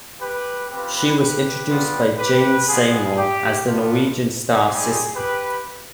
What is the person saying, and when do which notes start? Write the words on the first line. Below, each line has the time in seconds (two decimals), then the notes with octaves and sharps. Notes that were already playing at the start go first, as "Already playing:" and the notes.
She was introduced by Jane Seymour as the Norwegian star Sissel.
0.21 G4 B4
0.70 C4 F4 G4 B4
1.19 G4 B4
1.69 G3 B3 F4
2.18 G4 B4
2.68 G3 B3 F4 G#4
3.17 G4
3.66 B3 D4 F4
4.65 G3 C4 D#4 G4 G#4
5.15 G4 B4